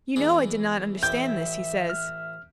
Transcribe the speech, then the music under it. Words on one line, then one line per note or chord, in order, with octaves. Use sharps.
"You know I did not understand this," he says.
E2 G#3 D4
A1 E5 G5 D6 G6
F6